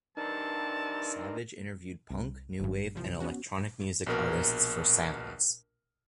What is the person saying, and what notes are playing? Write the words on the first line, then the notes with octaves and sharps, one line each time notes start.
Savage interviewed punk, new wave and electronic music artists for "Sounds".
G2 E3 C4 D4 D#4 A#4 A5
C2
G#1 G2
C2 F3
B3 C#4 F#4
A#1 B2 A#4